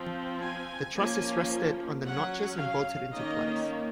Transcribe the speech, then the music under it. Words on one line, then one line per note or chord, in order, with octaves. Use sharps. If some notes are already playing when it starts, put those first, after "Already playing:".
The truss is rested on the notches and bolted into place.
Already playing: F3 C4
G#5
F3 A#3 C#4
F#3 C#4 F#5
F5
D#3 A#3 C#4 D#5